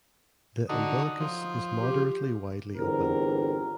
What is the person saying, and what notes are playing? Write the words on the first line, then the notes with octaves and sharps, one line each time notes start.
The umbilicus is moderately widely open.
D3 D#4 F#4 D#6
F3
G4
G1 E2 D3 C4 A#4